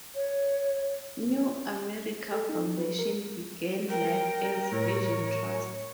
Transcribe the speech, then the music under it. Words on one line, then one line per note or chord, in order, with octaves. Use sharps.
New America Foundation began life as Vision Trust.
C#5
A4
D#4
B4
A#4
A#4 G5
A2 C#5